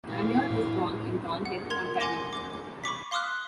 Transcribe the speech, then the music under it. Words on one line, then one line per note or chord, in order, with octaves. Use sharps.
Amyot was born in Thornhill, Ontario.
A#2 E3 F5
A2
F#5
A#4 C6 G#6 F7
F#5 G#5 C6 D6 A#6
D6
B5 C#6 D6 B6
F5 C6 D6 D#6 F6 F#6